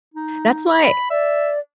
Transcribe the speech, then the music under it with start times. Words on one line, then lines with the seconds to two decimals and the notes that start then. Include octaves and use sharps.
That's why
0.14 D#4
0.84 B5
1.10 D5 E5